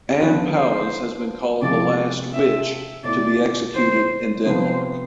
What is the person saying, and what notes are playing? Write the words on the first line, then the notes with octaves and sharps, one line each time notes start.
Anne Palles has been called the last "witch" to be executed in Denmark.
D3 F3 B3 D4 B4
C5
C3 F3 G#3 D5
E5
B2 A3 E4 D5
C5
C3 F3 B3 C5